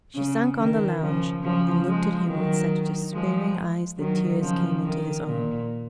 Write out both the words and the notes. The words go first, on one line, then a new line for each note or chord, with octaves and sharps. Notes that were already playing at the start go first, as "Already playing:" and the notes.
She sunk on the lounge and looked at him with such despairing eyes that tears came into his own.
C#3
D#3
C#3 F3
C#3 F3
F3 G#3
D#3 F#3
F3 G#3
D#3 F#3
C#3 F3
D#3
A#2